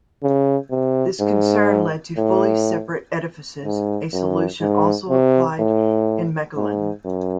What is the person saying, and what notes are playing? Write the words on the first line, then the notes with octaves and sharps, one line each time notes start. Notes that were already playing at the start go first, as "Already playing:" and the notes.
This concern led to fully separate edifices, a solution also applied in Mechelen.
C#3
C3
G#2
A2
G#2
F#2
G#2
C3
A2
G#2
F#2